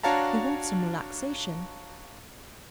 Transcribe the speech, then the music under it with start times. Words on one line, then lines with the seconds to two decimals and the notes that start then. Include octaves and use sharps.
"We want some relaxation."
0.03 D4 F#4 C#5 F5 A5 A#5